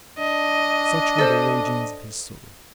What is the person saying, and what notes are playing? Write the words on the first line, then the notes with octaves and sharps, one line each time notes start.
Such were the ragings of his soul.
D4 D#5
A4 C5